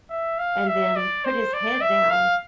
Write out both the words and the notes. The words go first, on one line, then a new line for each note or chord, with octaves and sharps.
and then put his head down
E5
F5
E5
D5
C5
D5
E5
F5